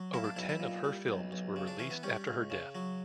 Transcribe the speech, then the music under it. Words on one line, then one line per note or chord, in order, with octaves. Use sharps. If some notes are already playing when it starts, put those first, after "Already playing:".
Over ten of her films were released after her death.
Already playing: F#3
A#3 E4
D4
B1 E4
E4
A#2
G3
B1
B1
C#3
D4
E3 C#4
B3
G3 C#4
C#2
C#3
F#3